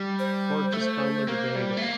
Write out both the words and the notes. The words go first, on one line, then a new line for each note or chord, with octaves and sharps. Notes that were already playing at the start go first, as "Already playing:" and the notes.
Porto's Paulo Ribeiro.
Already playing: G3
C5
A3
A#3
G3
A3
A#3